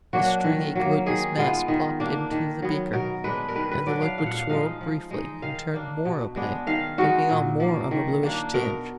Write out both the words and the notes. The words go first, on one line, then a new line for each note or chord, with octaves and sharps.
The stringy, glutenous mass plopped into the beaker and the liquid swirled briefly and turned more opaque, taking on more of a bluish tinge.
F#3 A#3 D4 F#4
D#3
F#3 A#3
D#3 G#4
G#3 B3 F4
D#3
A#3 D4
D#3
F#3 B3
B2 A#4
G#3 D4 B4
A#4
D#3 B4
B4
F#3 D4 D5
F5
A#2 F5
F#5
F5
F3 G#3 D#4 F5
F3
G#3 D#4
D#3 F5
A#3 D4
B2
G#3 B3 D4
D#3 F5
G#3 D#4 F#4
A#2
F3 A#3
D#3
A#3 D4
B2 A#4